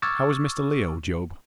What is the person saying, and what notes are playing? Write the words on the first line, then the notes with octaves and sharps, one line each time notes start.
"How is Mr. Leo, Job?"
C#6 D6 E6 F6 G#6 A6